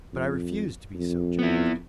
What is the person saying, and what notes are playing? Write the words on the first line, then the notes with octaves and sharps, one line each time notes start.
But I refused to be so judged.
F2
F2
B3 E4